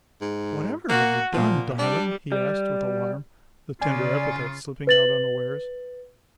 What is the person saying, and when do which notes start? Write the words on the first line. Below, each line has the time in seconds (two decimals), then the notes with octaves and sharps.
"Whatever have you done, darling?" he asked, with alarm, the tender epithet slipping out unawares.
0.21 G#2
0.89 A#3 F#4
1.33 A#2 F3
1.79 G3 D4
2.32 G3
3.81 C#3 F4 D5 G#5
4.87 B4 A6 F#7